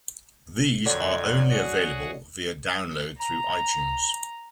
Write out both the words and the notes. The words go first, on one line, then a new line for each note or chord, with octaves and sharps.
These are only available via download through iTunes.
F2 D3 F#3 G#6
F#4 G#4 F#5
A#5